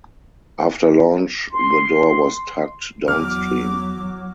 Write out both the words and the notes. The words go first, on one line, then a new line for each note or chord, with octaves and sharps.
After launch the door was tugged downstream.
C6
E2 F#3 D6 F6